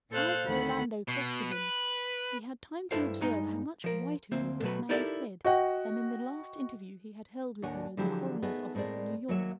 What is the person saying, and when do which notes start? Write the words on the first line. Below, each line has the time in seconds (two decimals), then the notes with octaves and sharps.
As Orlando crossed to him, he had time to observe how much whiter was this man's head than in the last interview he had held with him in the coroner's office in New York.
0.11 A#2 A4 C5 F5 F#6
0.46 D2 D#3 A4 F#5 B5
1.08 B2
1.52 B4
2.91 G2 E4 A4 C5 F5
3.21 G2 G#3 D#4 D#5
3.84 F3 A#4
4.32 D2 A#3 C4 C5 E5
4.62 B2 F#3 A3 B4
4.89 D#4 E4 G4 A4 A#4 D5
5.45 F#4 D#5 F#5 G5
7.62 D#2 A2 D4 C#5 F#5 G#5
7.97 D3 F3 F#3 E4 G4 G#4
8.42 A3 B3 D#4 G#4
8.75 A2 G#3 C4 A#4 D5
9.28 D#2 F#3 A#3 F#4 C#5 E5